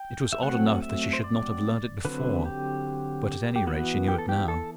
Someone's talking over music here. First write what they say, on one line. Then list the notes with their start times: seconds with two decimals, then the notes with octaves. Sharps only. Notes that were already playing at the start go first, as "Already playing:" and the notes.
It was odd enough that she should not have learned it before, but at any rate she knew it now.
Already playing: G5
0.33 E5
0.42 F#3 A3 C4 F#5
0.82 E5
1.13 C5
1.24 D5
2.05 D3 F#3 C4 B4
2.46 G4
3.56 G4
3.67 E3 B3 F#4
4.08 G4
4.18 A4
4.29 G4
4.48 A4